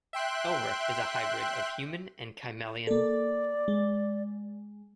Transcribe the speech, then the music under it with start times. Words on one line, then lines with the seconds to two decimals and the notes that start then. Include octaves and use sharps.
Elric is a hybrid of human and Kymellian.
0.13 E5 G5 C6 F#6
2.87 A#3 A4 D5
3.68 G#3